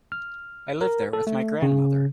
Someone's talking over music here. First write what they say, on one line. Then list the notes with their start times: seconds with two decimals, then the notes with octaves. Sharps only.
I live there with my grandmother.
0.12 F6
0.81 A#4
1.13 A4
1.27 A3
1.62 C#3